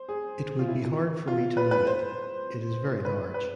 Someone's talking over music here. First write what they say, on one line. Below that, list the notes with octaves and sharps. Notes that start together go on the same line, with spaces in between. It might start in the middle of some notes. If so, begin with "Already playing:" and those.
It would be hard for me to move it. It is very large.
Already playing: C5
G#4
F4
E4
F4
B4
B4
C5
B4
B4